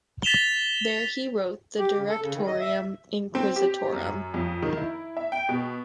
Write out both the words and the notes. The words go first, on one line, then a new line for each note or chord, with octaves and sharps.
There he wrote the "Directorium Inquisitorum".
A6 B6 E7 F7 G7
G4
C#3
A4
C#3
D#3
D#5
E5
C4
G4
F#2
F2
D#3
E4
E5
G5
B2